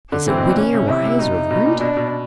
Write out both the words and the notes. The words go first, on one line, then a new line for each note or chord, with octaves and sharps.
Is it witty, or wise, or learned?
D3
E3 C4
B2
A#2
C#4
C3
C3 E4
C3
B2 D#4
C3
B2
A#2
B2 D4
B2